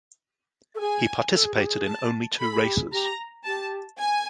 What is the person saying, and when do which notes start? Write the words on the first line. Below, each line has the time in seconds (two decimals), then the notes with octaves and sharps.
He participated in only two races.
0.75 A4
0.79 G#4 G#5
1.33 A4
1.44 G#4
1.54 G4
1.65 G#4
1.86 A5
2.39 A4 B5
2.52 G#4
2.64 G4
2.76 G#4
2.92 G4 A#5
3.45 G4 A5
3.99 G#5